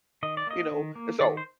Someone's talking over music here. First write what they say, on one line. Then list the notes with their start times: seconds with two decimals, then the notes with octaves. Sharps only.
you know, and so,
0.23 D#3 D#5
0.37 D5
0.47 A#3 D#5
0.71 D#3
0.95 A#3
1.20 D#3 D5
1.37 C5